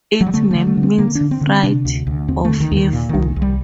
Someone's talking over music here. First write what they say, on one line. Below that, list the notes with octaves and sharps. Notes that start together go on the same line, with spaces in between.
Its name means "fright" or "fearful".
F#3
G3
D3 A3
D3 A3
A3
D3
C4
D3 A#3
D4
D3
C4
D3
C4
C3 D4
D2
D2
D#2 C4
D3 A3
D#3
D#2
D#3
A#2
D#3
C2
C2
G3